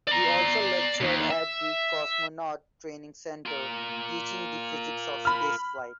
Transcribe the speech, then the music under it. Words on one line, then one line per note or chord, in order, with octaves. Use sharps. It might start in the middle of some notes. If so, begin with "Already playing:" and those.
He also lectured at the Cosmonaut Training Centre, teaching the physics of spaceflight.
D5 A#5
D#2 B2
E5
F4 A#4
B5 F6